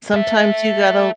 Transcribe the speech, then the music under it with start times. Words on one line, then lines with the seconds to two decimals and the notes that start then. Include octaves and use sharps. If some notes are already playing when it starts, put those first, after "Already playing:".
Sometimes you gotta
0.14 A4 E5